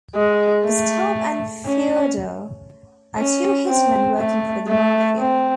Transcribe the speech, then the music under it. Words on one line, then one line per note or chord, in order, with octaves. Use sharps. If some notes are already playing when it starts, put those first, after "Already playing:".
Gustav and Feodor are two hitmen working for the Mafia.
G#3
A3
C#4
C#4
C4
A3
A3
C4